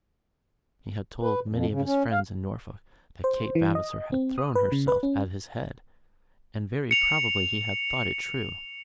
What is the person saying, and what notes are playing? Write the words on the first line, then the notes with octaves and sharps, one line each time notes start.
He had told many of his friends in Norfolk that Kate Vavasor had thrown herself at his head, and very probably he had thought it true.
B4
F2
C#3
C#4
F5
C5
E3
D#5
C4
D#6
B4
C#3
B4
C#4
C#7 F7